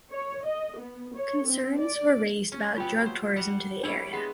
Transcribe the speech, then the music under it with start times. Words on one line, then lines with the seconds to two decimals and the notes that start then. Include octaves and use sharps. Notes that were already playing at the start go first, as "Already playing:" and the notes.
Concerns were raised about "drug tourism" to the area.
0.11 C#5
0.45 D#5
0.78 B3
1.15 C#5
1.47 C4
1.80 D5
2.52 C#4
2.78 F#3 B3 F4 G4 G5
3.06 C5
3.36 G3 F#5
3.83 G3 D4 E4 C#5
4.13 G#3 B3 F#5